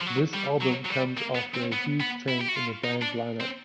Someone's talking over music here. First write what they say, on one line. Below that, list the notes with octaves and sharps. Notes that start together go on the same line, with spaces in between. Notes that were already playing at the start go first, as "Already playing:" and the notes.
This album comes after a huge change in the band's lineup.
F3
F#3
G3
F#3
F#3
G3
A#3
B3
C4
B3
B3
E4
G4
F#4
F4
D#4
D4
C4